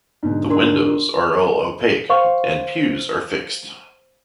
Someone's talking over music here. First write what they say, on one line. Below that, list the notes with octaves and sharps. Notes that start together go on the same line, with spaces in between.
The windows are all opaque and pews are fixed.
G#2 B2 D3
D4 A#4 C6
C5 F5 C#6